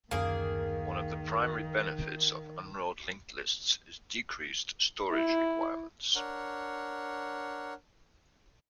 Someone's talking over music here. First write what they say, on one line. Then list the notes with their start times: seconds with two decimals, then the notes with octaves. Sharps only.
One of the primary benefits of unrolled linked lists is decreased storage requirements.
0.11 D1 F#2 D#3 A#3 C#4 G#4
5.11 E4
6.16 D4 A#4 C#5 F#5